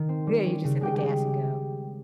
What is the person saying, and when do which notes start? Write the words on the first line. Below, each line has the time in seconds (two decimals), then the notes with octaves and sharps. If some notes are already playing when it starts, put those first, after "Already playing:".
Yeah, you just hit the gas and go.
Already playing: D#3
0.09 C4
0.27 G3
0.46 C#4
0.64 C#3
0.81 G#3 G4 G5
0.98 G#3 G4 G5